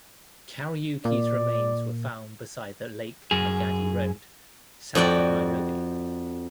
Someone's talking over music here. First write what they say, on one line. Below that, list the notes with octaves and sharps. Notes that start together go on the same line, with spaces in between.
'Kariuki's remains were found beside the Lake Magadi Road, south of Nairobi.
A#2 D5
F#2 G#4
F2 F#4 D5 G5